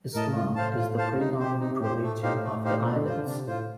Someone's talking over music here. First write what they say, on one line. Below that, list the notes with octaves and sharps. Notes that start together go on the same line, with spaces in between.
Islam is the predominant religion of the islands.
A2 A#4 D#5 A5
A2 F4
G2
A2
C5 F5 A5
F4
C5 F5 A5
C3 D#4
C3 G4 C5
C3 D#4
C3
A2 G4 C5
A#2
A2 A3
A2 D#4 G4 C5 F5
A3
D#4 G4 C5 F5
A#2 D4
D3
F4 C5
D3
C3 D4
A2 F4 C5